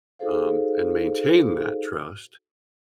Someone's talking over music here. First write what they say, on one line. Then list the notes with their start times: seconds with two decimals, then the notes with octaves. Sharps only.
um, and maintain that trust,
0.19 D#4 F#4 G#4 A4 C5 F5